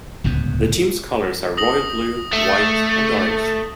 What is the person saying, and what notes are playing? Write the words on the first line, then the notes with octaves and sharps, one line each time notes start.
The team's colors are royal blue, white and orange.
D1 C#2 G2 B3
D#6 A#6 F#7
A3